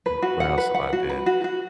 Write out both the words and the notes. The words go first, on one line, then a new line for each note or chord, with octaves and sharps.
like, where else have I been?
B4
F#4
F#5
B4
F#5
F#4
B4
F#4
F#4